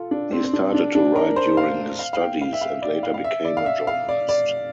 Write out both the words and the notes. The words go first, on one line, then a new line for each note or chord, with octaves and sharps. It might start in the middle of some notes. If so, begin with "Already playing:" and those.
He started to write during his studies, and later became a journalist.
Already playing: F4 A4
D4
C4
C4
D4
D4
D4
A#4
C5
F5
F5
F5
G5
F5
E5
F5
D5
F5
F5
E5
D5
F5
E5
F5
D5
D5